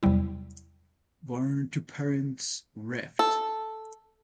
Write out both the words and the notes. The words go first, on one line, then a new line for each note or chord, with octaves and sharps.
Born to parents Revd.
E2 C3 F#3 G3 E4
A4